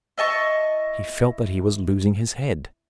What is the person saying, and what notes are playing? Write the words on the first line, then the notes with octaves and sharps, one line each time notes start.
He felt that he was losing his head.
E4 D#5 A5 C#6